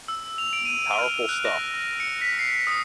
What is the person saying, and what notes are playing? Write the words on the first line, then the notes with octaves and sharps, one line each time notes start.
Powerful stuff.
E6
F7
D7
D#7
F6
F#6
A#6
C#7
B6
C7
C7
D#6